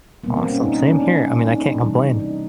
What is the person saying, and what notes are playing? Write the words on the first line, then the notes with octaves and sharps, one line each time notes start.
Awesome. Same here. I mean, I can't complain.
B2 G3 A#3 B3
C4
C#4
D#4
D4
C#4
D4
D4
D#4
D4
C3 E3 G3
D#4